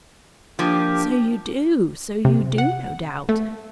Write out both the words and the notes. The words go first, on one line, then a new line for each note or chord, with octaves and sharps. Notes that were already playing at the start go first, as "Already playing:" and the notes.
'So you do, so you do, no doubt.
F3 A#3 D4 G4
C3
F#5
A3